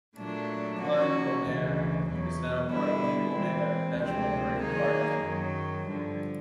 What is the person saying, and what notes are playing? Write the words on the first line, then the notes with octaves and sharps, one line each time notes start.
Klein Bonaire is now part of the Bonaire National Marine Park.
A#2 F#3 A3 D4
F3 A#3 C#4 F#4
D2 C#3 E3
E2 B2 F#3
D3 G3 B3 E4
E3 G#3 C4
D2 C3 F3 G#3 C4
D#3 F#3 A#3 D#4 G#4
F#2 D#3 F#3
G2 D3 F3